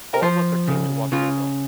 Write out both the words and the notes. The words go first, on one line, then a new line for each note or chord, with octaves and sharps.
All of us are keen to watch the film.
A#4
F3 C5
C#3
C#3 F4